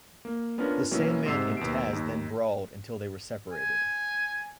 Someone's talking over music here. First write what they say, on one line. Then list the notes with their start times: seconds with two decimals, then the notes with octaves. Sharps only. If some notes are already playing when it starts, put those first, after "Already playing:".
The Sandman and Taz then brawled until they were separated.
0.25 A#3
0.58 B3 C#4 D4 F4 A#4
0.91 B2 E3 F#3 A#3 C#4 E4
1.26 G#2 C3 D#4 E6 C7 E7
1.57 D#2 B2 D7
1.91 D#2 D#4
3.52 G#5